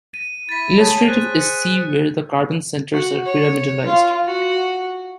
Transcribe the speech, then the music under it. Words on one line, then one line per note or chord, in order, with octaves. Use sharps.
Illustrative is C where the carbon centres are pyramidalized.
D#7
E4 A6 B6
G#4 C#5 A5
G#4 C5 F#6
C#7
F#4
C#5
F4
F#4